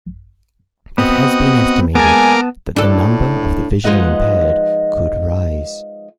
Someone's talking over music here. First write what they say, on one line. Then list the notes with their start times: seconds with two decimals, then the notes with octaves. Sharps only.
It has been estimated that the number of the visually impaired could rise.
0.98 B3 C4 F#4 D#5
1.95 G#3 A#3 B3 A#4 G#5 A5 D6
2.76 A2 D4 A4
3.84 F3 G#3 D#4 B4 D#5 F#5